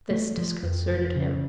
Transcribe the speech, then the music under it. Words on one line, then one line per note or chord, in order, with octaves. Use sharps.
This disconcerted him.
A3
F3
F2
F1
C#3